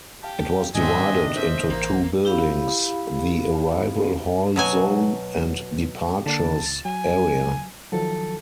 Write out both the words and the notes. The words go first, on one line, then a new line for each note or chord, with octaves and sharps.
It was divided into two buildings: the arrival hall zone and departures area.
G4 F5 A5
G#2 D#3 C4 D4 D#5 E5 G#5
C5 E5
A1 E3 A#3
E4 G4 F5 B5
B2 F#3 G#5
D3 A#3 D4 A5
C#2 A6
F#3 G#5
D#3 F3 F#3 A4